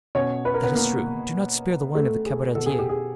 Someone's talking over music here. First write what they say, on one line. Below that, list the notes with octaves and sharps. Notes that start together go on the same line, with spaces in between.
"That is true; do not spare the wine of the cabaretier."
B2 C#4 C#5
B4
A#4
B3 B4
A#3 A#4
A3 A4
G#4
B2 A4
G#4
G4
G#4